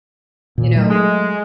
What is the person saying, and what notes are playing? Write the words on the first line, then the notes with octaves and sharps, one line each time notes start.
you know
A#2 D#3
F#3 A3
G#3